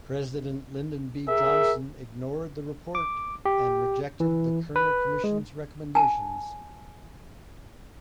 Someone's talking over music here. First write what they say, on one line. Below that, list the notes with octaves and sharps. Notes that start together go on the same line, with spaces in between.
President Lyndon B. Johnson ignored the report and rejected the Kerner Commission's recommendations.
G#4 A#4 E5
D6
G4
E3
B4
G#3
G#5 A5